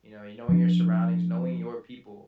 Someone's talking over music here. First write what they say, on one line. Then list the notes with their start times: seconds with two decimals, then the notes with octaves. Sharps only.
you know, y knowing your surroundings, knowing your people,
0.49 F3 D4